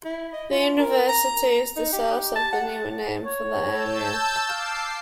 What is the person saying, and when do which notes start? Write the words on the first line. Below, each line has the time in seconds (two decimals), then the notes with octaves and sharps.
The university is the source of the newer name for the area.
0.05 E4
0.33 D#5
0.52 F4
0.79 A#4
1.09 A#5
1.76 D#4
1.93 G4
2.36 A5
2.53 F#5
3.25 C#5
3.69 A5 E6 G6
4.49 F5 D6 C7